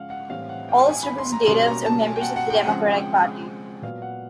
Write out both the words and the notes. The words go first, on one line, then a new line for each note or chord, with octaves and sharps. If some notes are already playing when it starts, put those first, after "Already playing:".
All its representatives are members of the Democratic Party.
Already playing: C#3 F3 G#3 C#4 F5 F#5
F#5
A2 E3 G3 C4 F5
F#5
G5
G#5
B5
C6
A#5
B2 G3 A#3 C#4 C6
A#5
A5
G#5
G5
F#5
F#5
G5
C#3 F3 G#3 C4 F#5
G5
A#2 F#3 B3 F5
F#5